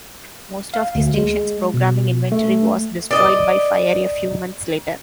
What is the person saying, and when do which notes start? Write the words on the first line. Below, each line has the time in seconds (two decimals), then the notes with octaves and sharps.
Most of the station's programming inventory was destroyed by fire a few months later.
0.74 F5
0.95 D2
1.14 G#3
1.74 B2
2.32 A3
3.11 D5 D#5